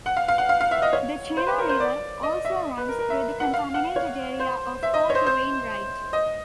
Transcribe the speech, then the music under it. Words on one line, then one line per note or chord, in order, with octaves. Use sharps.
The Chena River also runs through the contaminated area of Fort Wainwright.
F#5
F5
F5
F#5
F5
F5
E5
D#5
C#5
C5
B4
A#4
C5
D5
D#5
E5
B4
A#4
A#4
E5
F#5
F5
F#5
C#5
C5
E5
D#5
C#5
C5
C5
D#5